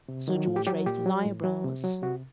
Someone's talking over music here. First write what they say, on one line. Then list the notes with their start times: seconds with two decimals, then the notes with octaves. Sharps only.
Sir George raised his eyebrows.
0.08 C3
0.28 D#3 F#3
0.47 A2
0.56 G4
0.67 F#3 G4
0.86 A#2 G4
1.06 F#3
1.24 A2
1.44 F#3
1.64 C3
1.84 F#3
2.02 C3 F#4